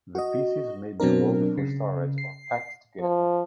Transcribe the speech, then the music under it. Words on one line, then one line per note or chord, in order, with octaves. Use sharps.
The pieces may be rolled for storage or packed together.
F#4 D#5
B2 F#3 C4 D4 A#4
C#3
C7
F3